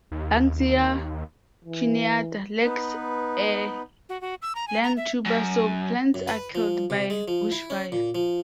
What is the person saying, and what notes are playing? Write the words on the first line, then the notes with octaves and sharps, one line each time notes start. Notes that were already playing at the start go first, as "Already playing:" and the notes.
"Banksia cuneata" lacks a lignotuber, so plants are killed by bushfire.
D#2
E3
B3 D#4 B4
F#4
F#4
E6
A#5
G#5
A#5
E5
F#2
F#2
B4
F3
C3
G#3
F3
E4
C#4
A#2
F3